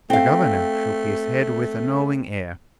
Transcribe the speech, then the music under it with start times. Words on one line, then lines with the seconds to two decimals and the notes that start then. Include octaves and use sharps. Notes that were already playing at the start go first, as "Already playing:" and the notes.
The governor shook his head with a knowing air.
0.10 A3 C4 F5